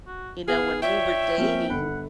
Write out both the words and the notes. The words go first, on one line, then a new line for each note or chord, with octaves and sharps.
you know, when we were dating
F#4
B3 G#4 B4 F5 F#5
F4 C#5 D5 E5 G5
F3 A#3 C4 C#4
G1 A4 F#5 B5